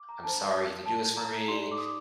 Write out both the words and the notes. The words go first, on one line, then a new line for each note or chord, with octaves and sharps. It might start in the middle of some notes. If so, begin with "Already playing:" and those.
"I'm sorry you have to do this for me."
Already playing: D6
A#5
D4 A4 C5 A5
A5
A#5
D#4 G4 D5 C6
D6
D#6